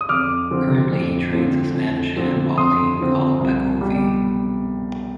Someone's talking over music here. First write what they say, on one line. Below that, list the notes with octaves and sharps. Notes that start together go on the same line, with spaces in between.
Currently he trains a Spanish handball team called Bacovi.
D#6
F2 D6 F6
D3 F3 C4
F2
D3 F3 C4
F2
D3 F3 C4
F2 C6 D#6
D3 F3 C4
C2
B2 G3